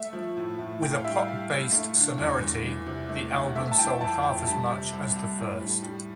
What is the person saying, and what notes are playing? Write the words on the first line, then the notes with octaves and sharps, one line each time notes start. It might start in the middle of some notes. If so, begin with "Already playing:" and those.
With a pop-based sonority, the album sold half as much as the first.
Already playing: A3 E5
F3
A2
A2
A2 G5
F5
G3 E5
F5
G3
A2
A3
D3
E2
E2
E3
C3
A3
D2
A3 E5
A5
E3 G5
F2 A5
F2 G5
G3 A5
C3
C2
C2
A2
G3
G3